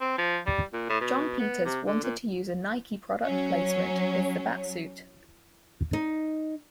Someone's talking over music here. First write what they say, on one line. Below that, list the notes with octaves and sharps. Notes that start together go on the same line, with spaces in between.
Jon Peters wanted to use a Nike product placement with the Batsuit.
C4
F3
G3
A#2
A2
B2
B3
C3
D3
A#2
F#3 C#4
D#4